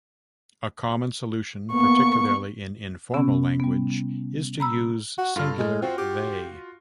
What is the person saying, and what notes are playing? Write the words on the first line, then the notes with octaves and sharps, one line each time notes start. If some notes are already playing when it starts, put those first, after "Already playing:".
A common solution, particularly in informal language, is to use singular "they".
A#3 B3 C#6
C3 B3 C#4
G3 B3
A#5 B5 E6
F#4
G2 F4 A4 F6
G#3
C4 F4 F#4
G4